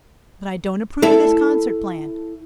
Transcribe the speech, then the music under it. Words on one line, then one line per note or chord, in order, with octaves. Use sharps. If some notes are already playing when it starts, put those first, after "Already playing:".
But I don't approve of this concert plan.
E4 A4